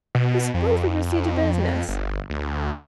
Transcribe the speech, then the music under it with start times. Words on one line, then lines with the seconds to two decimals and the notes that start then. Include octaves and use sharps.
But suppose we proceed to business.
0.15 B2
0.54 F2
1.88 G1
2.30 D2